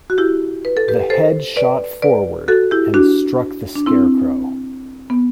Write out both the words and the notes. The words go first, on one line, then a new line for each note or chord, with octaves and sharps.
The Head shot forward and struck the Scarecrow.
F#4
E4 G4
B4
A4
G4 B4
A4 C5
B4 D5
B4 D5
F#4 A4
E4 G4
D4 F#4
D4
C4 E4
B3